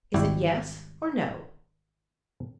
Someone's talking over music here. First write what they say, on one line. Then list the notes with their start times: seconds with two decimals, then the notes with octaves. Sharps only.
Is it Yes or No?'
0.14 G#1 C#2 G3 E4 F#4 G4